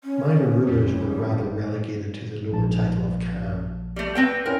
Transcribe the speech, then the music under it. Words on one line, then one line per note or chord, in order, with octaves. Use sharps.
Minor rulers were rather relegated to the lower title of khan.
C#4
G1 F2 G3
A#1 A5
G3 A3
C4 B4 G5
C#4 E4 A#4 G5